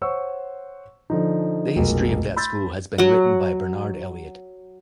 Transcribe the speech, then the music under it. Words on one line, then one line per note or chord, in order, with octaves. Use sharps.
The history of that school has been written by Bernard Elliott.
C5 C#5 F#5 C#6 E6
D3 F3 D#4
F1 B1 G#3 A#4
B5 C6 E6 G6 A6
F#3 F#5